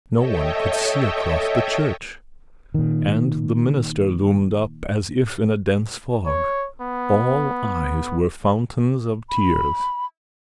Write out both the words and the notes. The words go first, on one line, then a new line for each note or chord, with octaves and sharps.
No one could see across the church, and the minister loomed up, as if in a dense fog; all eyes were fountains of tears.
A4 C#5 D#5 E5 G5
A#2 D#3
C#5
B3
B5